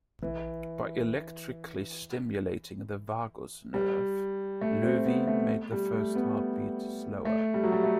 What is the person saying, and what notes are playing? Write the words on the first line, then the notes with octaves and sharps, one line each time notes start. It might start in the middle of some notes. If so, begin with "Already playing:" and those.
By electrically stimulating the vagus nerve, Loewi made the first heart beat slower.
E3
G3
A3
C4
B3
A3
G3
A3
B3
A3
G3
F#3
G3
A3